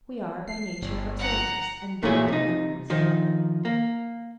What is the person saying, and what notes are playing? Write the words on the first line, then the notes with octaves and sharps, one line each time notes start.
We are by nature observers, and thereby learners.
C7
G1
F#5 A#5
A#2 F#3 A3 E4 G#4
C3 D#4
D#3 F3 D#4
A#3